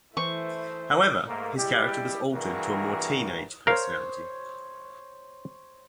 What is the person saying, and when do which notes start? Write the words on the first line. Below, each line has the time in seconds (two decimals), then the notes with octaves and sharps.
However, his character was altered to a more teenage personality.
0.17 E3 A3 E4 C5 C#6
1.28 G#2 A3 A#3
1.57 G3 G#3 E4 G4
2.33 G2 E3 A#3 F#4 G#4 A#4
3.67 A#4 C5 C#5 F5